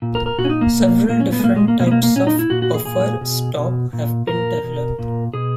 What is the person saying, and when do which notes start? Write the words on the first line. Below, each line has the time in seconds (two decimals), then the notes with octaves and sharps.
Several different types of buffer stop have been developed.
0.02 A#2
0.15 A#4
0.26 A#4
0.38 A#2 F#4
0.45 C#4
0.50 D#4
0.61 A#3
0.73 B2
1.09 A#2 A#3
1.20 C#4
1.33 B3
1.39 G#3
1.44 A#2 A#3
1.56 G#3
1.68 A#3
1.80 B2 A#3
1.87 B3
1.91 A#3
2.03 A#3
2.15 A#2 C#4
2.27 D#4
2.39 E4
2.50 A#2 F#4
2.62 F#4
2.74 G#4
2.85 A#2 G#4
3.21 B2
3.57 B2
3.93 A#2
4.27 A#2 A#4
4.63 B2
4.99 A#2
5.34 B2 G#4